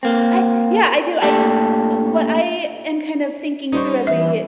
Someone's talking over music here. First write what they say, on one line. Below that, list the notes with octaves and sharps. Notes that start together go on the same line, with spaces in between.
I yeah, I do I eh, what I am kind of thinking through as we, eh,
A#3 C4
A#2 A3 D4 G4 A4
G3 C#4 D#4 C5 C#6
E3 E5